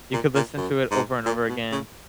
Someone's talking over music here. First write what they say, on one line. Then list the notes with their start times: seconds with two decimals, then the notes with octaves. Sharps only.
you could listen to it over and over again,
0.13 A#2
0.35 A#2
0.57 F#2
0.91 G#2
1.26 A#2
1.49 B2
1.72 C#3